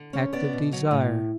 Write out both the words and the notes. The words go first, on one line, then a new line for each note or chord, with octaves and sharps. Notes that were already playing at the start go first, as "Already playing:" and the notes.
Act of Desire.
Already playing: D3
C#4
B3 D5
B2
F#3
A2